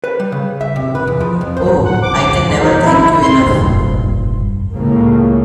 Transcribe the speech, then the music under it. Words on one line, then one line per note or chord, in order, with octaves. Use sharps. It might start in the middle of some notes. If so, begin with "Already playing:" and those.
Oh, I can never thank you enough.
B4
G3
C#3
E5
C3
B4
E2
F3
F2
C5
F#5
D6
D6
G#2
D#4
E4
C6
C4
F1 A#1 G2
C#2 A2 C#3 A#3